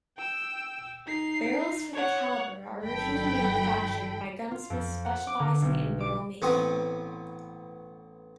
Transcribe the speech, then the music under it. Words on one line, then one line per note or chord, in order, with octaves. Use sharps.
Barrels for the caliber are originally manufactured by gunsmiths specializing in barrel making.
G5 E6
D#4 C7
C#5 F#5
G1 D#3 F#3 A4 G5 B5
F4
F2
F#5
D6
D3
B1
D6
A1 B3 C4 C#6 D#6